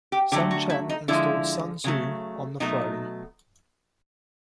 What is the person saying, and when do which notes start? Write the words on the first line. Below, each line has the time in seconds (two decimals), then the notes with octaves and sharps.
Sun Chen installed Sun Xiu on the throne.
0.12 G4
0.32 D3 F#3 A3 G4
0.51 F#4
0.70 E4
0.89 D#4
1.08 D3 F3 G#3 E4
1.84 C#3 F#3 A3
2.60 B2 F#3 A3 D#4